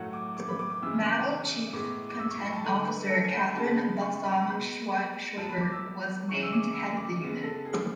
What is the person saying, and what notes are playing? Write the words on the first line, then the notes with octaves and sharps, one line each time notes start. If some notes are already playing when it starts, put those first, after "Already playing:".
Mattel chief content officer Catherine Balsam-Schwaber was named to head the unit.
Already playing: A2 F#3 A3 F#5
D6
D6
B5
D6
D6
C#3 E3 G#3 B3 E6
E6
D6
A2 G#3 B3 D6
D6
E6
C#6
B5
A5
D3 A3 G#5
B4
A4
G#5
F#5
C#3 G#3 B3 A5
B5
C#6
B5
B2 G#3 B3 B5
B2 F#3 B3 A5
B5
D6
E6
C#3 E3 G#3 C#6
E6
D6
E6
D6
C#3 G#3 B3
A4
G#4